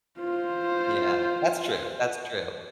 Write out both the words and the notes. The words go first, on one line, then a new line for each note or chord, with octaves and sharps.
Yeah, that's true, that's true.
F4 C5